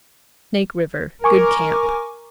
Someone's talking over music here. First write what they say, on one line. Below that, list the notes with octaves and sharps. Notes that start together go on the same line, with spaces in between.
Snake River.--Good camp.
A#4 G#5 C#6 D6